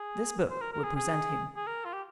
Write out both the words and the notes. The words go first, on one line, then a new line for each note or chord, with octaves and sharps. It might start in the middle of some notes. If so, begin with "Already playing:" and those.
This book will present him.
Already playing: G#4
C5
A#4
A#4
G#4
G#4
G#4
A#4
F4
G4